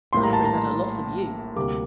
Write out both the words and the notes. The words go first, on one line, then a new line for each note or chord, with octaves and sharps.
Hamper has had a loss of you.
A#1 A2 G3 A#3 C6
A#5
A5
A#5
D2 C3 G3 A#3 D6